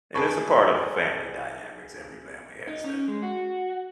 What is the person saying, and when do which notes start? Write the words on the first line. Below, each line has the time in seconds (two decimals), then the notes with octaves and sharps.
and it's a part of family dynamics, every family has that.
0.15 G#4 B4 A5 B5 C#6
2.67 D#4
2.84 C#4
3.08 G#3
3.23 F#4